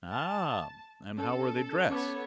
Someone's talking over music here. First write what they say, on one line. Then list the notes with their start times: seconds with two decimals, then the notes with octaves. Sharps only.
"Ah! and how were they dressed?"
0.13 A5
1.18 C#4 A4
1.89 B3 C#4 A4 C#5 D6